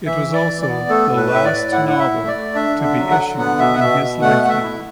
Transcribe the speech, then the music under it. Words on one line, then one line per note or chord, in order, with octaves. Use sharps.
It was also the last novel to be issued in his lifetime.
E3 E5
E3
D5
E3
D5
B3
A3 A4
A2
B4
A2 E5
D5
A2
E4 F#5
E4 F#5
E5
A3
D5
A3
D4 E5
D3
E5
F#3
F#5
D3
B3 F#5
B2 E5
F#5
B2 E5
B2
A3 F#5
A3 F#5
E5
E4